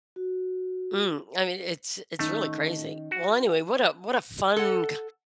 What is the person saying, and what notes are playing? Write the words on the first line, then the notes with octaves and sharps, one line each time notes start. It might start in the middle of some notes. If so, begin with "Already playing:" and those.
Mm. I mean, it's it's really crazy. Well, anyway, what a what a fun c
F#4
D#3 A3 C#4 D#4
F#4
A4 F#5